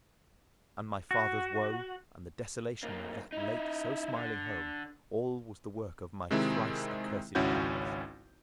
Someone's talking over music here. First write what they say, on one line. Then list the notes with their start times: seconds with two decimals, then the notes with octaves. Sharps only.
And my father's woe, and the desolation of that late so smiling home all was the work of my thrice-accursed hands!
1.11 F#4
2.83 B1 A#3
3.33 D#4 E4
4.16 D3
6.31 C3 D#3 G#3 C4 E4
7.35 G#1 C#2 C#4 E4 F#4 G6